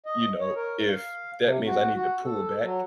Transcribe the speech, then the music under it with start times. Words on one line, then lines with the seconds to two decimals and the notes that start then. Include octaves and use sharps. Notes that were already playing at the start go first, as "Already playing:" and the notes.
you know, if that means I need to pull back
0.06 D#5
0.41 C#5
0.56 A#4
0.88 F5
1.43 C3
1.66 F#4
1.94 F#4
2.25 A4
2.63 F#3